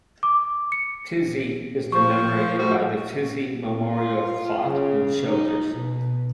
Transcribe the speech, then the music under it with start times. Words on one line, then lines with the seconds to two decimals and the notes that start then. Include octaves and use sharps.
Pizzey is commemorated by the Pizzey Memorial Clock in Childers.
0.23 D6
0.72 C#7
1.92 F3 C#6
2.58 G3 A3 F#4
3.80 F4
4.67 C#3
5.27 D#4
5.74 B2